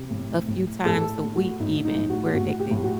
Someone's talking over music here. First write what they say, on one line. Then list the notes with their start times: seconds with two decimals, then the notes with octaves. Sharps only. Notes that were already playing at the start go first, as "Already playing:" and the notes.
a few times a week even, we're addicted
Already playing: C3
0.10 A2
0.48 A2
0.86 A2 A4
1.23 A3
1.36 F#4
1.60 A2 D#4
1.85 D#4
1.97 A2
2.10 F#4
2.34 A2 F#4
2.60 G4
2.71 A2
2.84 F#4